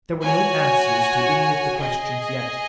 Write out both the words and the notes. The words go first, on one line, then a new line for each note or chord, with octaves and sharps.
There were no answers to any of the questions yet.
F#4 C#5 G#5
G#4 D#5 G#5